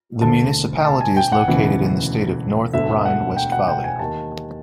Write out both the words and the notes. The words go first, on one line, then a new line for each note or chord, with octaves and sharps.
The municipality is located in the state of North Rhine-Westphalia.
E1 D2 D3 A5
A5
G#5
G5
F#5
E1 D2 C#3 E3
E1 D2 D3 E5
F#5
G5
F#5
G5
G#5
D#2 D#3 A5